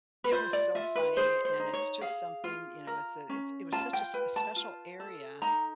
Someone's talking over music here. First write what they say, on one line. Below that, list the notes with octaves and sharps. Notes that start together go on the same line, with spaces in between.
it was so funny, and it's just something, you know it's a it's it was such a s special area,
B4
F4 C5
D5
F4 E5
B4
G#4 C5
C5
D#4
C#5
G#4 F5
F4
A#4
C#4
F4 A5
G5
B4
A5
F4
A4
D#4 A#5